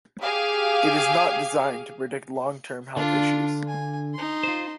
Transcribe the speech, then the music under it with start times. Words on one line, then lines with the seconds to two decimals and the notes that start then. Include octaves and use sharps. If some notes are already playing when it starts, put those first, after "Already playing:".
It is "not" designed to predict long term health issues.
0.22 G4 G#4 F5
2.96 D3 D4 F4
3.68 G#5
4.14 D#4 C6
4.43 F4 C5